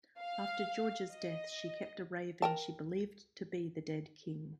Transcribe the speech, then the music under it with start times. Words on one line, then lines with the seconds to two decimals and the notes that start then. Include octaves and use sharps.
After George's death, she kept a raven she believed to be the dead king.
0.20 F5
1.12 D#5
2.42 A#4 G5 A5